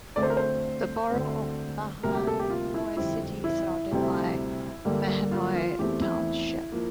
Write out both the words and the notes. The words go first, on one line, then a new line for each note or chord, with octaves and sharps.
The borough of Mahanoy City is surrounded by Mahanoy Township.
D2 D3 A3 C4 D5
C5
A#4
C5
D2 D3 A3 C4
D2 C3 G3 A#3 A#4
G4
A4
G4
F4
E4
F2 D3 G3 C4 E4
E4
D2 C3 G3 C4
G2 D3 G3 A#3
F4
F4
E2 E3 A3 C4 G4
E4
F3 A#3